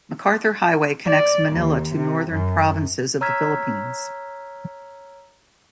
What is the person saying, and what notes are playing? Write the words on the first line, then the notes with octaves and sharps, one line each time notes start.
MacArthur Highway connects Manila to northern provinces of the Philippines.
D5
D#2
C3
F#2
C#5 A#5 E6 F6 G#6 B6